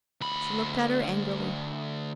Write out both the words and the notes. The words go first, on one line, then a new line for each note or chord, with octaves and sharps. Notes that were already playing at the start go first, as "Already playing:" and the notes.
She looked at her angrily.
D2 B5